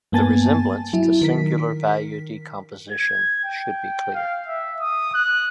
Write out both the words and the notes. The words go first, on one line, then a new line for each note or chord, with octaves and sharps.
The resemblance to Singular Value Decomposition should be clear.
G2 A#3 B3 G#5 A5 A6
F#3 E4
D#3 A#4 B6
G#6
G5
F5
E5
D#6
F#6